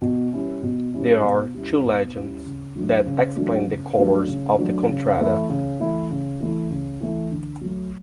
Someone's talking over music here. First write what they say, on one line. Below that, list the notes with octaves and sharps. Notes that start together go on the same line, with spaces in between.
There are two legends that explain the colors of the contrada.
B2
G3 C#4 E4
B2
G3 C#4 E4
B2
G3 C#4 E4
B2
G3 C#4 E4
C#3
F#3 A3 D4 F#4
C#3
F#3 A3 D4 F#4
C#3
F#3 A3 D4 F#4
C#3
F#3 A3 D4 F#4
C#3
E3 A3 E4
C#3
E3 A3 E4
C#3
E3 A3 E4
C#3
E3 A3 E4
D3
F#3 A3